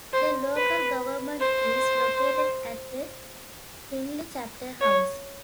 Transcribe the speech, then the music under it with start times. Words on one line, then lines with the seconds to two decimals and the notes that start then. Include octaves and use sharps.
The local government is located at the Chinle Chapter House.
0.13 C5
0.56 B4
1.40 C5
4.81 C#5